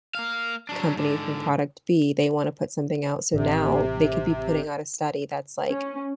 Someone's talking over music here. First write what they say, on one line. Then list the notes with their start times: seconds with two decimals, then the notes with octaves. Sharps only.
company from product B, they wanna put something out, so now they could be putting out a study that's, like,
0.15 A#3 F5
0.69 F#3 D4
0.96 G#2 D3
3.33 A1 C3
5.70 C#4